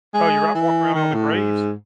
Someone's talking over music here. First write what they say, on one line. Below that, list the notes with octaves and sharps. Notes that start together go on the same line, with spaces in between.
Oh, you're out walk around all the graves?
G#3
E3
D#3
A2
G#2